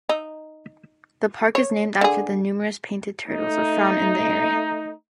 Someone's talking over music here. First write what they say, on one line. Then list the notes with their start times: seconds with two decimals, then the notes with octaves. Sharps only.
The park is named after the numerous painted turtles found in the area.
0.09 D#4
1.55 C#5
2.01 D3 G#4
3.27 A3 D#4